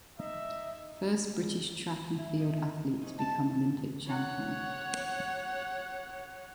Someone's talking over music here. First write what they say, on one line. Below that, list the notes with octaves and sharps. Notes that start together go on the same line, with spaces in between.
First British track and field athlete to become Olympic Champion.
D#4 E5
E4
D#4 E5
C3 C#4 D#4
A5
C#5 F#5